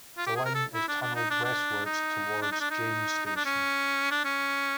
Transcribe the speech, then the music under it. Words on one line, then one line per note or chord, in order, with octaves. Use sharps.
The line is tunneled westward toward Jane Station.
F4
G4
G#4
A#4
A4
E4
D4
D4
D#4
D4
D4
D#4
D4
D#4
D4
D#4
D#4
D4
C#4
D4
C#4